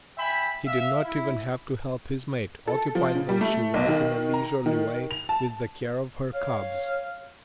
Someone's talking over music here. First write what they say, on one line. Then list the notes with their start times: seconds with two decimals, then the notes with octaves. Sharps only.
He did not even have to help his mate, occupied though she was, in a leisurely way, with the care of her cubs.
0.18 E5 G5 G#5 B5
0.67 E5 F5
1.05 E4
2.68 A4
2.95 F3
3.15 C#3
3.29 G3
3.41 A3
3.74 B1
3.88 D#3
4.34 A#5
4.66 D#3
5.11 F7
5.29 A5
6.34 C#5 F5